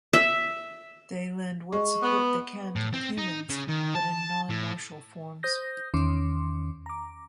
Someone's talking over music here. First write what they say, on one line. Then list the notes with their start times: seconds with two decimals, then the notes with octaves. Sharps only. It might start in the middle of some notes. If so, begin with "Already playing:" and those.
They lend what support they can to the Humans, but in non-martial forms.
0.13 E5
1.72 G#3 C#6
2.02 B3
2.76 A2
2.94 C4
3.18 D#4
3.49 C#3
3.68 D#3
3.95 A5
4.50 A2
5.43 C5 D#6 G6 A#6
5.94 E2 D#3 C#4 C6 D6
6.86 A#5 D6